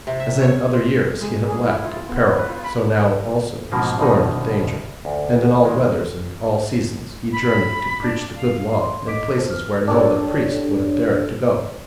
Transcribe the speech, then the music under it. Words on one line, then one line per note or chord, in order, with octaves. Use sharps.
As in other years he had laughed at peril, so now also he scorned danger; and in all weathers and all seasons he journeyed to preach the good Law in places where no other priest would have dared to go.
C3
E5
C#5
C5
G#3
G#4
E4
F4
B3
B4
F4
B5
G#2 B2 F3 A#3 C4
C2 B2 D3 D#3 D#4
D2
D#3 G#3
B5
D4
F5
C6
D#5 D6 B6 D7
B4 C5 A5
B4 F6
D4 G4 A4 C#5